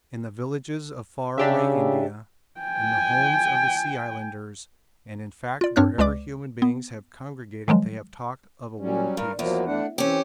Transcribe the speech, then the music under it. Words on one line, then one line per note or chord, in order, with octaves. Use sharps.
In the villages of far away India, in the homes of the Sea Islanders and in fact wherever human beings have congregated they have talked of a world peace.
C#3 D4 G4 E5
G5 G#5
F4 D5
G2 C4 D4 C#5 F6 F#6
C#2 G#3 B4 D5 D6
B3
D#3 F3 F#3 G#3
F#3 G3 C#4
G2 A#4
E2 F3 F#3 A#3
A3 D4 F#5
E3 C4 C#4 G4